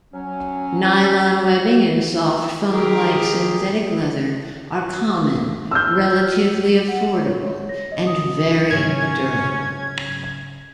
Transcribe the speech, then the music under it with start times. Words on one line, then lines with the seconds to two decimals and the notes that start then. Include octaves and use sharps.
Nylon webbing and soft foam-like synthetic leather are common, relatively affordable, and very durable.
0.14 F#3 C#4
2.72 D#3 G4 G#4 A#4
5.71 E6 F6 G6
6.88 F#5
7.25 C#5
7.69 A#6
7.92 D#5
8.07 D#6
8.71 G#2 C#3 F#3 C#4 G#6